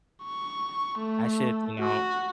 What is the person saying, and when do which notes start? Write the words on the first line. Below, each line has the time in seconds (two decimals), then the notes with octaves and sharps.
I should," you know,
0.24 C#6
0.99 A3
1.79 F#4